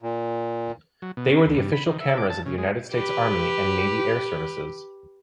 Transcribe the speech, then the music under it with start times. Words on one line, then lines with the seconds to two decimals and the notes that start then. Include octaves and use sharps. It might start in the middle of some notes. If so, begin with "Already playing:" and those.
They were the official cameras of the United States Army and Navy Air Services.
0.02 A#2
1.02 F#3
1.17 B2
1.32 C#3
1.46 D2
1.58 G2
1.73 B5
1.86 D#3
2.00 E5
2.18 D6
2.30 A5
2.46 C#3
2.58 G#3
2.92 G4 B4